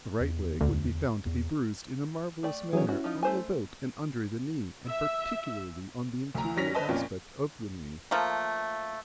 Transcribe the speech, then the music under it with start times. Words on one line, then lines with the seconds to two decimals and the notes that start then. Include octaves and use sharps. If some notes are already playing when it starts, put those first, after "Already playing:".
The right leg would be found to be bruised in a marvellous manner all about and under the knee, and particularly on the interior aspect of the knee.
0.21 E2
0.61 D2
1.26 E2
2.43 A3 D5 G5
2.73 E3 F#3 C#4 G#4 C#5
2.89 C#4 E4 F#4
3.04 F3 D#4 F4
3.23 A3 C5 G#5
4.87 E5
6.35 D2 A#5
6.56 G2 F#3 C#4 A#6 B6 F7
6.75 B4 C5 D#5 A5
6.89 F2 A#2 C#4 F4
8.11 F3 A3 A#3